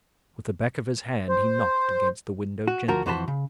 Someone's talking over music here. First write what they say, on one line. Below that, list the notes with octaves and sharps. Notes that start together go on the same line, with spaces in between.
With the back of his hand he knocked against the window gently.
C5
F#4
D2 F3 F#4 A#4
F2 E3 F#4 C5 A5 B5
C#3